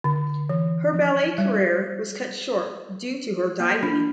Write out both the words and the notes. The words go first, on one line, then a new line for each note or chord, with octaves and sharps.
Her ballet career was cut short due to her diving.
D3
E3
F3
G3
A#3
D4